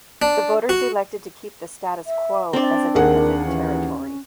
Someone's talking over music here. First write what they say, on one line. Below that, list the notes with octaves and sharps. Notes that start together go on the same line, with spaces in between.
The voters elected to keep the status quo as a dependent territory.
D4
F#4
E5
C4 D4 D5
D#2 G#4 A#4 F#5
E3 C#4